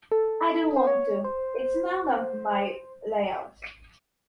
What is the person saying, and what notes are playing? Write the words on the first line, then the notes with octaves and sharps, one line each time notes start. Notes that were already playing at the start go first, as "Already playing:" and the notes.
I don't want to. It's none of my lay-out.
A4
C5
C#5
C5